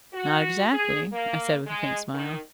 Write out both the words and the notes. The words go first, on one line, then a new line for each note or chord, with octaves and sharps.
"Not exactly," I said with a faint smile.
F#4
G#4
A#3
G#3
D#3